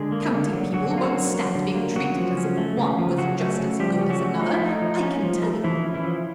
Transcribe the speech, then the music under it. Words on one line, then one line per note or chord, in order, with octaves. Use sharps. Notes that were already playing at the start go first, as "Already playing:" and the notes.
County people won't stand being treated as if one was just as good as another, I can tell you!
Already playing: D3 G#3 G#4
A#3
D3
F#3
D3 F#3 F#4
A#3 F4
F#3 F#4
D3
F#3
D3
A#3
C#3 F#3 F#4
F3
C#4
A3
C#3
F3
F#3 C#4 F#4
A3
C#3
F3 G3 G4
C#4
F#3 F#4
A3
F3 D#4
E4
A3 D#4
F3
C#4
F3
A3
E3 F3 E4
C#4
E3 E4
F3